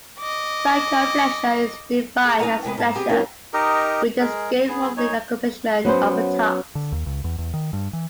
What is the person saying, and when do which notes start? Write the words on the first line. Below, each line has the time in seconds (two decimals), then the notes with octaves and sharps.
Psycho-pleasure is defined as pleasure which is gained from the accomplishment of a task.
0.19 D#5 D6
2.25 G#4
2.39 C#4 D#4 F4 B4 F#5 A#5
2.64 C3 G#3 B3 B4
2.78 G#2 A5
2.95 B3 C4 G4 G#4
3.09 D#3 F3 A#3 B3 C#4 D#4
3.54 D#4 G4 A#4 D#5
4.20 G#3 G#4 A#4
4.68 B3 G#4
4.97 D#4 C#5 G#5
5.85 F#3 B3 C#4 C5
6.75 D3
6.92 D#2
7.06 C#2
7.24 E2
7.38 E2
7.54 D#3
7.73 G2
7.93 E3